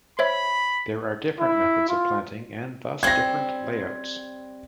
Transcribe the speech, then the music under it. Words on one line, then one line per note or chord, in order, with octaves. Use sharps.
There are different methods of planting and thus different layouts.
C5 C#5 E5 B5
E4
F4
G3 C4 G#6 A#6